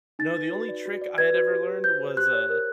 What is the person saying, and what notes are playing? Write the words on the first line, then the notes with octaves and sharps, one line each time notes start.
No, the only trick I had ever learned was, uh,
D#4 A6
B4
F#4
D5
F#4
D5
B4 G#6
F#4
G4
G4
C5 G6
C5
G4 F#6
C#5
A#4